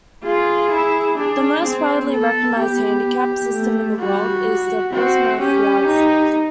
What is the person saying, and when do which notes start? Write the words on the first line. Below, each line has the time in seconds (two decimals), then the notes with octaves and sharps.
The most widely recognised handicap system in the world is the Portsmouth Yardstick.
0.24 F4 G#4
0.71 E4
1.18 D4 G#4
1.65 C4
2.11 B3 A4
2.58 G4
3.52 A3
3.99 G3 F#4
4.93 C4 F#4
5.39 C#4 G4
5.87 D#4